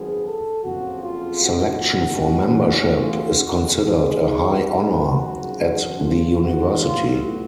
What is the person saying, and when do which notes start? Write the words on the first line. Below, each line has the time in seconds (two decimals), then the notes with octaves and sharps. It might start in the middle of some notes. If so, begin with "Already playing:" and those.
Selection for membership is considered a high honor at the University.
Already playing: G#1 F#2 F3 B3 G#4
0.26 A4
0.64 F#1 F2 C#3 F3 F#4
1.03 F4
1.41 F#4
2.19 A1 A2 F#3 C#4
2.96 F4
3.34 F#4
3.73 G#1 G#2 G#3 G#4
4.50 F#4
5.27 G#1 F#2 C#3 F3
6.05 F4
6.43 F#4
6.81 A1 A2 F#3 F4